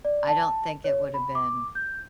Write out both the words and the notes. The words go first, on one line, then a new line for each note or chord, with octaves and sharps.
I don't think it would've been,
D5
A5
C#5
B5
D6
G6